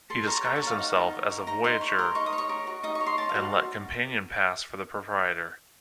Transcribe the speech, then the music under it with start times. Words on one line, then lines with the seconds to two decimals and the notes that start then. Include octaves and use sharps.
He disguised himself as a voyageur and let Campion pass for the proprietor.
0.10 A4 C6
0.27 C#5 A#5
0.44 A4 A#5
0.56 A5
0.62 C#5 F5
0.78 D#4 F#5
0.95 D#4
1.13 C#5
1.30 A#4
1.47 D#4 A#5
1.64 D#4 C6
1.81 C#5
1.99 A#4
2.15 D#4 C#6
2.26 D#6
2.33 C#5
2.38 C#6
2.49 A#4
2.67 F#4
2.83 D#4 D#6
2.95 C#6
3.00 C#5
3.06 C6
3.18 A#4 A5
3.29 F5
3.35 F#4